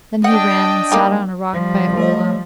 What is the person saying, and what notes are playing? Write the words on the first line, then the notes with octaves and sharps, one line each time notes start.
Then he ran and sat on a rock by Olaf.
D4 D#5 F#5 G5
G3 A#3 D#4 G4
F3 G3
A3 C#5 D#5